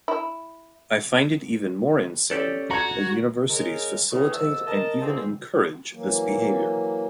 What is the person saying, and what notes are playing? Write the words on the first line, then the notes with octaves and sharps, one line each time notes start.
I find it even more insane that universities facilitate and even encourage this behaviour.
E4
C#4 G4 A4 D5
F#4 A#5 G#6
C#3 G#3 A#4
E2 A2 C#3
C2 G#2 C3 A3 A5 E6
A#4 D#5 A5
D3 E3 F3 G#3 A#3 C4
E3 F#3 A#3